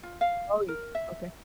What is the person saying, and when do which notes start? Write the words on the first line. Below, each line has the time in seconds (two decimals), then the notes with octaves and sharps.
Oh, you okay.
0.03 F4
0.21 F5
0.68 A#4
0.95 E5